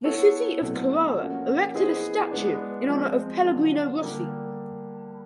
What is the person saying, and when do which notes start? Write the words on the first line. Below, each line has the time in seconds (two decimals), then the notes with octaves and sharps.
The city of Carrara erected a statue in honour of Pellegrino Rossi.
0.04 B3 E4 A4 C#5
0.61 B2 F#3 A3 C4
1.18 F3 A#3 C#4 F#4 A#4
1.74 B3 E4 G#4 C5 D#5
2.31 G#3 B3 D4
2.88 F3 G#3 C4
3.45 D3 F#3 B3 D4 F4
4.01 D3 G3 A#3